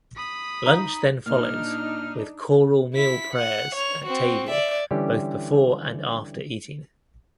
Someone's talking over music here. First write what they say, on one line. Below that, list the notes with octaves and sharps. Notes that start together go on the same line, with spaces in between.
Lunch then follows with choral meal prayers at table both before and after eating.
B5 D#6
D#4
A#2 D4 D#4 F6
E4 B6
F#5
C#5 F7
C4 F#4
D5 E5
D3 E3 G3 C#4 G4